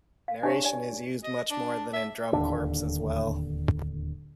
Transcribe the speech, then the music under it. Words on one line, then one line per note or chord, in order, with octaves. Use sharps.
Narration is used much more than in Drum Corps as well.
F5
D4 G4 C#5 G#5
D5 G#5
D#5
D4
E5
D1 D#2 D3 D4